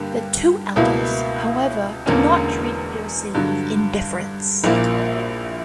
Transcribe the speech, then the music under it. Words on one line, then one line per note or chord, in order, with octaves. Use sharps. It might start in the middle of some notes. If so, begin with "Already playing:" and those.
The two elders, however, did not treat heresy with indifference.
Already playing: G2 D3 A#3 G4
C#2 B2 A#3 E4
E1 E2 D3 A#3 C#4
G2 D3 F#3
A#1 A#2 A#3 E4